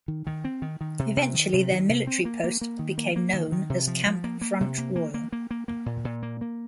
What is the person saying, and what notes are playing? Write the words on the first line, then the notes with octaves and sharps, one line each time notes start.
Eventually their military post became known as "Camp Front Royal".
D#3
D#3
C4
D#3
D#3
C3
C3
D#3
C3
D#3
C3
C4
A#3
A#3
A#3
D#3
A#3
A#3
D#3
D#3
C3
F3
F3
A#3
A#3
C3
A#3
A#3
A#3
A#3
A#3
A#3
A#2
A#2
A#3
A#3